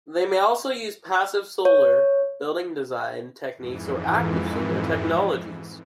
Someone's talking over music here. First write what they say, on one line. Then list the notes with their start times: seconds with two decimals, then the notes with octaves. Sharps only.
They may also use passive solar building design techniques or active solar technologies.
1.65 C#5
3.55 F2 G#2 E3